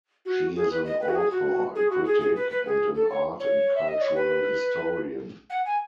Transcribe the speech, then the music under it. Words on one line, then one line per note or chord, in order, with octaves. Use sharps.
She is an author, a critic, and an art and cultural historian.
F#4
G#4
B4
D#5
B4
F#4
G#4
F#4
G#4
F#4
G#4
G#4
B4
B4
G#4
A4
C#5
C#5
E5
D#5
C#5
B4
F#5
G#5